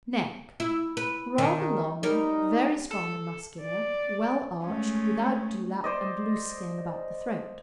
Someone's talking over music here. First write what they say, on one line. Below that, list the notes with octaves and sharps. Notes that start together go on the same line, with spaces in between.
NECK--Rather long, very strong and muscular, well arched, without dewlap and loose skin about the throat.
E4
B4
D#3 D4
G3 D#4 A#4
A4
D5
G#3 A3 C#4
C5 D5 D#5